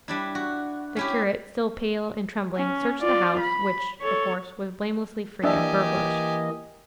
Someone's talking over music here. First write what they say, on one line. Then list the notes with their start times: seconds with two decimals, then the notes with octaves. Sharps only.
The curate, still pale and trembling, searched the house, which, of course, was blamelessly free of burglars.
0.08 G3 D4 E4
0.35 F#4
0.96 C#4 E4 G4
2.55 C#4
3.00 F4 D5
3.40 B5
4.01 A4 C#5
5.44 E3 A#3 D4 G4 D#5 E5 G#5